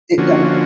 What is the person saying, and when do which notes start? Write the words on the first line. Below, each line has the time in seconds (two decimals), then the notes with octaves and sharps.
it, um
0.18 D3 F3 A#3 C#4 F#4